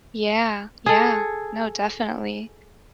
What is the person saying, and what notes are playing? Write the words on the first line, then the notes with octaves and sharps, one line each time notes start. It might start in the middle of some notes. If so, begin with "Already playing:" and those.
Yeah, yeah, no, definitely.
G#4 A4